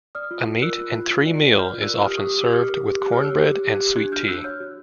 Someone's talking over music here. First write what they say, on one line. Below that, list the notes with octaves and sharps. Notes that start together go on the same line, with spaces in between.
A meat-and-three meal is often served with cornbread and sweet tea.
D5 D#6 F6
F4
F4
A#4 E6 F#6
F4
F4
F4
D5
D5
A#4 F6 G6
F4
E6 F#6
A#4
G4 D#6 F6
C#6 D#6
G4
C#6 D#6
G4 D6 E6
G4 D#6 F6
A#4
G4
G4 F#6
C#5 F6
E6 F#6
G4
G4
G4
F#6 G#6
G4
D4 F#6 G#6
F#4 F6 G6
F#4 E6 F#6
C#5 F6 G6
F#4